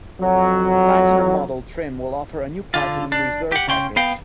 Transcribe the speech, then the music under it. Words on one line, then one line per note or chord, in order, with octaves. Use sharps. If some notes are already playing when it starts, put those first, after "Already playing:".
The Platinum model trim will offer a new Platinum reserve package.
F2 F#3
D3 F4
D4
G4 F#5
C#3 C#4 G5 C6
B3 F5 G5